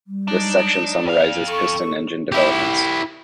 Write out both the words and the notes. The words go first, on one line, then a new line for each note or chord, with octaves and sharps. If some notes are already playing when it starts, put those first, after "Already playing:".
This section summarizes piston engine developments.
G3
F#3 G#3 D4 D#4
F2 D5 F5
A4 C#6
E4 G4